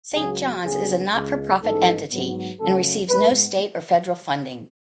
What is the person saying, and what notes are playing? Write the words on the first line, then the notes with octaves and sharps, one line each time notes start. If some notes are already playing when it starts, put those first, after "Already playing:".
Saint John's is a not-for-profit entity and receives no state or federal funding.
C#2 C#3 F#3 G#4
D2 C#3 F#3 B3 G#4
C#2 C#3 G#3
A1 G#2 E3 G#3 B3 A4
G#2 F#3 B3
F#2 C#3 F#3 A3 A4
G#2 G#3 B3 B4